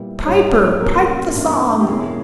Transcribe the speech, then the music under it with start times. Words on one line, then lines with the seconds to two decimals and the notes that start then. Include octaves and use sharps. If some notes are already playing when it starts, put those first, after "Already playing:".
Piper, pipe the song!
Already playing: A#2 G3 B3 E4
0.26 G#2 G3 C#4 E4 C#5
0.80 B2 A#3 C#4 A#4
1.34 G2 E3 A#3
1.80 G4
1.88 E2 B2 A#3 C#4 E4 G#4